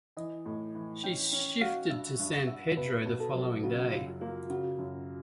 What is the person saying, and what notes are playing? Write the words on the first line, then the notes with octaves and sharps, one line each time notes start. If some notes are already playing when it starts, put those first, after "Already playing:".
She shifted to San Pedro the following day.
E3 D#5
A2
E3
C#4 G5
C#4
F#4 F5
G2 E5
G2
G2 E5
B2 B4
B2
A4
F#3
C#3 F#4
F#2 F4
A#3 F4
C#3 F#4
F#2